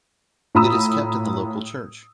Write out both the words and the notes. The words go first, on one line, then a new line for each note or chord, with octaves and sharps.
It is kept in the local church.
A2 F4 A#5 B5 D#6 E6